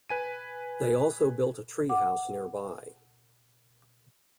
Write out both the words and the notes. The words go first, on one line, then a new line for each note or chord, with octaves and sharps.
They also built a treehouse nearby.
B4 G#5 D#7
F#5 D6